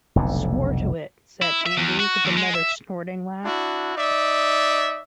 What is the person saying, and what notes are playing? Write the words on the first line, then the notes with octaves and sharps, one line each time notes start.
"Swore to it," said Andy with another snorting laugh.
F1 B1 F2 D3
E4
E5
E2
F#4
D#2
G#3
E5
D4 E4 F#4
D#4 D5 E5